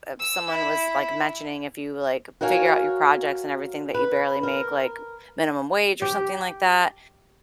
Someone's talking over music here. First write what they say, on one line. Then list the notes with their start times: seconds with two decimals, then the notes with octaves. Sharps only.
if someone was like mentioning if you like figure out your projects and everything that you barely make, like, minimum wage or something like that,
0.19 E6
0.50 E4
2.41 F#4 A#4 C#5 F5 G5 G#5
3.94 B4
4.43 A#4
6.02 G4